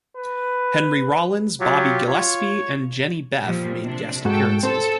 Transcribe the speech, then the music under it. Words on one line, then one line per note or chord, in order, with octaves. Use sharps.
Henry Rollins, Bobby Gillespie and Jehnny Beth made guest appearances.
B4
F#3 F4 G4
F4 C#5
A#2 F3 G3
C3 D4
G#2 F#4 A4 G5
C4 A4 C5